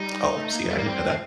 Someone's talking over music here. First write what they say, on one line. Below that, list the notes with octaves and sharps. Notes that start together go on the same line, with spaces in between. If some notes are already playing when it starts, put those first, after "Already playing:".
Oh, see, I didn't know that.
Already playing: G3 D#4
A3
A#3
F3
G3 A3
A#3
G3 C4
A3